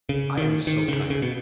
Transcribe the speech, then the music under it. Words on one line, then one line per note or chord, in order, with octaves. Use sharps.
I am so tired.
C#3
D#3
D#3
C#3
C#3
B2